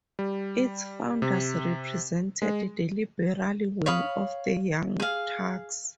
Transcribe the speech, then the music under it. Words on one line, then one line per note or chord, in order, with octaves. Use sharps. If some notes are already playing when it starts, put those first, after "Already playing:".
Its founders represented the liberal wing of the Young Turks.
G3
C3
G#3
C#5 F5 B5 D#6
G#4 F5